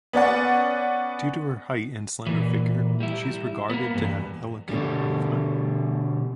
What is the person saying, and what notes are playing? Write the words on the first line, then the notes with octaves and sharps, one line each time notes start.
Due to her height and slender figure, she is regarded to have elegant movement.
B3 C#4 D5 F#5
A#2 E3
G3 E4
A#3 B3
E2 G2
B2 D3 G3